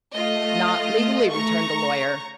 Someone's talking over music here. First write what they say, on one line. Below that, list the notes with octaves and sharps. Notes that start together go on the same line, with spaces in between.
"Not legally," returned the lawyer.
A3 F4 D#5
A#5 C#6